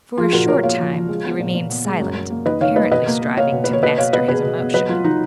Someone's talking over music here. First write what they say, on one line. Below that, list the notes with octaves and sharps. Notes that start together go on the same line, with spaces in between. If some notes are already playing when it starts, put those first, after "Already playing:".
For a short time he remained silent, apparently striving to master his emotion.
F3 F4 G#4
A#2 F#4 A#4
A#2 A#4 C#5
A#3 C#5 F5
F3
F3
G#3
B3
A#2
A#2
B3
G#3
F#2
F#2
A#3
D#3 B4 D#5
D#3 C#5 F5
A#3 B4 D#5
B2 B4 D#5
A#3
A#3
A#3 C#5 F5
B2
A#3 B4
C#5
B2 B4 D#5
B2 C#5 F5
B3 B4 D#5
B2 G#4 B4
B2
B3
F#3 B4 D#5
F#3 F4
F#3 D#4